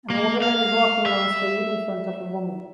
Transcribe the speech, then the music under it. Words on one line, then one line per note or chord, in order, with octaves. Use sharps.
An older man is walking along the street in front of a woman.
A#3
F5
E5